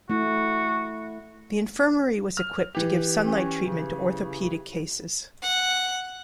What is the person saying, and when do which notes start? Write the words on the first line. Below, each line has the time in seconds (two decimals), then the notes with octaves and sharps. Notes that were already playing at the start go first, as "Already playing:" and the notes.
The infirmary was equipped to give sunlight treatment to orthopaedic cases.
0.10 A3 E4 F#4
2.37 F6
2.75 E3 G4
3.25 C#4
3.66 C#3
5.42 F#5